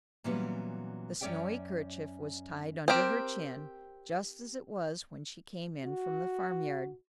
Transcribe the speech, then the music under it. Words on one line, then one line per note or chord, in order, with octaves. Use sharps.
The snowy kerchief was tied under her chin just as it was when she came in from the farm-yard.
A#2 E3 F#3 G3 B3 C#4
F#2 C#4 C#5 D5 E5 G5
C4 G4 A#4 C5
F#4